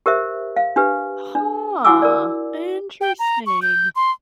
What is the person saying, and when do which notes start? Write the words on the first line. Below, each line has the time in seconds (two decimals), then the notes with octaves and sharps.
Huh, interesting.
0.06 G4 A#4 C5 E5
0.56 F5
0.76 D4 G4 B4
1.35 D4
1.85 E4 F#4 F#5 G#5 D6 E6
2.02 A#4 D5
3.01 G5
3.19 A#5
3.46 C#6
3.62 G6
3.96 C6